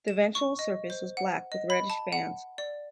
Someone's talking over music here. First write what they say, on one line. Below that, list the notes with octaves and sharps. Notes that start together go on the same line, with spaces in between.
The ventral surface was black with reddish bands.
E7
C#6
D#5
C5
F#5
D#5
B5
A5
F#5
D5